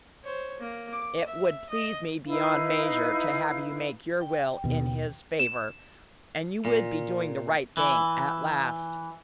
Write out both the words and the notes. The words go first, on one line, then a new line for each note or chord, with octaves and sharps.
"It would please me beyond measure to have you make your will in his favor, and you would be doing the right thing at last."
C5 C#5
A#3
D6
E5
D#5
D#4 E4 B4 F5
G5
D#2 B2
E7
A#2
E3